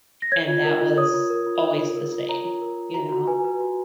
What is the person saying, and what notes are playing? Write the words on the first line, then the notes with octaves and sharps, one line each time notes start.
and that was always the same, you know?
A#6
C#5 G#6
F4
A#4
F4
C#5 D#6
F4
A#4
F4
C#5
F4
A#4
F4
C#5 A#5
F4
A#4
F4
F#4 A#5
F#4
B4 G#5
B4
F#4